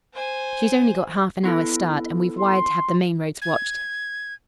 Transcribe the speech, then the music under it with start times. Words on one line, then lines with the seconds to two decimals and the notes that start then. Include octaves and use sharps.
She's only got half an hour's start, and we've wired to have the main roads watched.
0.14 C5 G#5
1.43 B3 E4 A4
2.39 C6
3.42 G#6